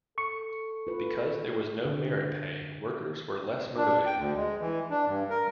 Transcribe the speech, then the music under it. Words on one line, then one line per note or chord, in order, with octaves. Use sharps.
Because there was no merit pay, workers were less motivated.
A4 C#6 C#7
F4 B4
D3
D4
G5
D2
G#3
E3
D4
G2
A#4